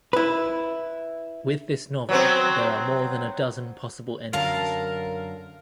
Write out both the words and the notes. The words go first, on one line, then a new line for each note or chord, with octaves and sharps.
With this novel, there are more than a dozen possible endings.
E4 B4
F#3 B3 C4
F#2 D3 F#3 A#4 F5 A5